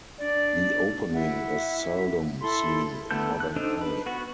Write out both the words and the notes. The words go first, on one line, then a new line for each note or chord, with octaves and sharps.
The opening is seldom seen in modern play.
D4 D5
E4 E5 F#5
E4 A4 B5 C6
D3 A3 B3 A4 G6
F#6
D4 D#4 A4 C5
B4
B3 F#4